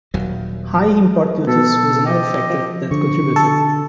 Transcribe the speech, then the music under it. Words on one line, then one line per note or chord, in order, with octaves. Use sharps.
High import duties was another factor that contributed.
D#1 D#2 F#3
B2 A4
G4 D#5
F3
D3 C#6
A4